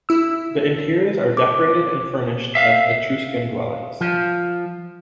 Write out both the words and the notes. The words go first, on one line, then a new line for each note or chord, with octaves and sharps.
The interiors are decorated and furnished as Etruscan dwellings.
E4 E6
D6
E5 F5
F3